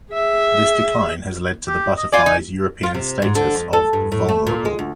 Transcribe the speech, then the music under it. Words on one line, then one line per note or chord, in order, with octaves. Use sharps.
This decline has led to the butterfly's European status of "vulnerable".
G#4 E5
G4
D#5
D#4 F4 D5 G#5
D#4
F4
C3
G#2
D3
F2
A4
G2
A2
A3
A#2
G#3
D2